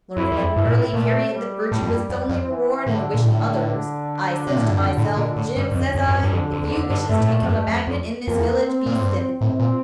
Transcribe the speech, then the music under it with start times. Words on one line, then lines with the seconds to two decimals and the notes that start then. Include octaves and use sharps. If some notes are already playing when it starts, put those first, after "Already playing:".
Learnin' at an early period that virtue was its only reward, an' a-wish-in' others, I says to myself: 'Jim,' says I, 'if you wishes to become a magnet in this village, be sinful.
0.17 F2 E4
0.32 E2
0.37 F2
0.55 G2 E4
0.66 A#2
0.76 A2
0.94 A#2 A3
1.33 G3
1.72 A2
1.82 F2
1.90 G2
2.09 F2
2.29 F2
2.48 E3
2.87 A2 D3
3.14 A#2
3.25 A2 D3
4.47 C3
4.56 A#2
4.63 A2
4.70 G2
4.79 F2
4.98 A2
5.17 A#2
5.36 A2
5.56 G2
5.72 G2
5.75 F2
5.95 F2
6.08 G2
6.14 F2
6.23 G2
6.32 F2 D3
6.53 F2
6.63 E2
6.71 F2 D3
6.90 G2
7.09 G2 A3
7.19 A2
7.29 A#2
7.42 F2
7.48 G2 A3
7.67 F2
7.87 F2
8.26 F2 A#3
8.37 E2
8.63 C4
8.86 A#2
8.94 A2
9.02 G2
9.41 A2 C4
9.59 A#2